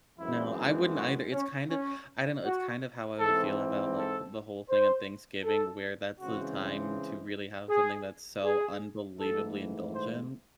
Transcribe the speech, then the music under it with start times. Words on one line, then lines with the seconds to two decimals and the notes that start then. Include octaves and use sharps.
No. I wouldn't either. It's kinda I don't know, it's kind of how I would feel about, like, the whole thing on Thanksgiving, where that's the time to really have something that's so unbelievably indulgent.
0.18 F#2 E3 G#3 C4 E4
0.94 F#4
1.31 C#4
1.69 C#4
2.44 F#4
3.19 G#2 E3 C4 A4
3.94 A4
4.69 C5
5.43 A4
6.19 C#3 E3 G#3 C4 F#4
7.69 G#4
8.44 G#4
9.19 G#2 E3 A3 A4
9.94 C5